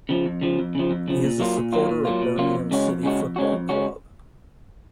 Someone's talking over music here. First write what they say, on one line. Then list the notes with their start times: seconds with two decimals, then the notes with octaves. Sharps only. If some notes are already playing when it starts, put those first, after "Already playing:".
He is a supporter of Birmingham City Football Club.
0.09 C#3 F3
0.26 F2
0.41 C#3 F3
0.59 F2
0.75 C#3 F3
0.91 F2
1.08 C#3 F3
1.24 A#2
1.39 F#3 A#3 F4
1.57 A#2
1.72 F#3 A#3 F4
1.88 A#2
2.05 F#3 A#3 F4
2.22 A#2
2.38 F#3 A#3 F4
2.55 F2
2.71 C#3 G#3 C#4 F#4
2.87 F2
3.03 C#3 G#3 C#4 F#4
3.21 F2
3.36 C#3 G#3 C#4 F#4
3.52 F2
3.69 C#3 G#3 C#4 F#4